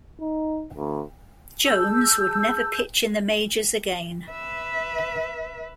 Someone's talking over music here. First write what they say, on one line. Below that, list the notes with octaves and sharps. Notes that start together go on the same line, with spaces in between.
Jones would never pitch in the majors again.
D#4
D2
G#4 A5 E6 G6
B4 E5